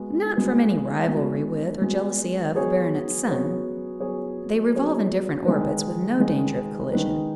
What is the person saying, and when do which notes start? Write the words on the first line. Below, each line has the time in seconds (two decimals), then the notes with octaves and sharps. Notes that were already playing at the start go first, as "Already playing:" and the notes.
Not from any rivalry with, or jealousy of, the baronet's son: they revolve in different orbits, with no danger of collision.
Already playing: G#3 B3 F#4
0.35 G#3 B3 F#4
1.08 G#3 B3 F#4
1.82 G#3 B3 F#4
2.54 F#3 B3 G#4 C#5
3.27 F#3 B3 G#4 C#5
4.00 F#3 B3 G#4 C#5
4.73 F#3 B3 G#4 C#5
5.46 D#3 G#3 D#4 B4
6.19 D#3 G#3 D#4 B4
6.93 D#3 G#3 D#4 B4